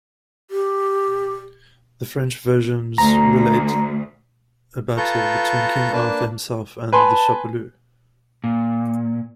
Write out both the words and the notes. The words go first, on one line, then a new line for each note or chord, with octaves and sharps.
The French versions relate a battle between King Arthur himself and the "Chapalu".
G4
D2 A#5
F4 A4 B4 A#5 C#6 G6
A#3 D4 B4 A5
B4 G#5 A5 C6
A#2